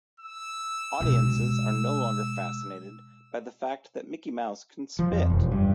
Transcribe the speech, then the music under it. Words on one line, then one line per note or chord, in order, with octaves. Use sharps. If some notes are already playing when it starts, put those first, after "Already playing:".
Audiences are no longer fascinated by the fact that Mickey Mouse can spit.
E6
B2 G#3
F3
F2
E1
G2